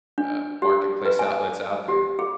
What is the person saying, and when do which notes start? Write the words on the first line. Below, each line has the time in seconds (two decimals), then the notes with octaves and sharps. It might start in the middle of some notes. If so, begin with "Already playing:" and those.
uh, marketplace outlets out there
0.18 D4
0.62 G4
1.05 B4
1.19 G#5
1.88 G4
2.19 G#4